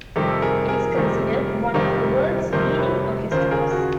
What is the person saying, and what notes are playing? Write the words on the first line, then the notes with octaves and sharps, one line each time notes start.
It is considered one of the world's leading orchestras.
F2 C3 D#3 G3 G4 A4
G#4 A#4
G#4 A#4
F2 C3 D#3 G3
F2 C3 D#3 G3
F2 C3 D#3 G3 A#4 C5
B4 C#5
D#2 C#3 F3 A#4 C5
G#4 A#4
F#4 G#4